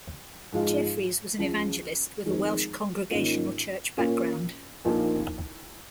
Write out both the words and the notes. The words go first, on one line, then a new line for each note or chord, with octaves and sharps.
Jeffreys was an evangelist with a Welsh Congregational church background.
G#2 F3 G#3 F4
C#2 C#3 F3
F2 D#3 G#3
G#2 D#3 A#3 C#4 F4
A#2 A#3 C#4 F4
A#1 A#2 F3 A#3 D#4